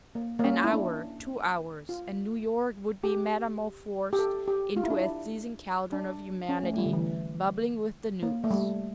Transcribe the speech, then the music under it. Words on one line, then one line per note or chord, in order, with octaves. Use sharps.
An hour, two hours, and New York would be metamorphosed into a seething caldron of humanity bubbling with the news.
A#3
A#3
C#4
E4
D4
F4
G4
G4
A4
G4
F4
E4
D4
E4
D4
C#4
A3
A3
G3
D3
E3
A#3
A3
G3